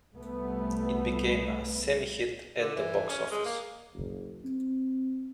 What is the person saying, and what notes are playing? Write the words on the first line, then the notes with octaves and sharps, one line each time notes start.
It became a "semi-hit" at the box office.
C2 A3 B3
D3
E3
C#4
G#3
A#3
F#1
C4